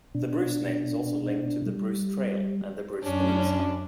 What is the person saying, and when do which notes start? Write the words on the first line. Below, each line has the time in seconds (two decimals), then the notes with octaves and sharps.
The Bruce name is also linked to the Bruce Trail and the Bruce Peninsula.
0.15 B2 D4
1.66 G3
3.03 F#2 C#4 D4